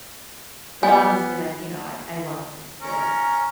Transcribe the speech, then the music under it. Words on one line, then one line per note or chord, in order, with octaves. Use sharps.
But, obviously, like, you know, I I love him still.
B3 G#5
C#4 A#4